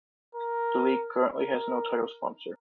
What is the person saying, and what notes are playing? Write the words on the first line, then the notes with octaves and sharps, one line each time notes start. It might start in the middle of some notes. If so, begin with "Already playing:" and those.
The league currently has no title sponsor.
A#4
A#4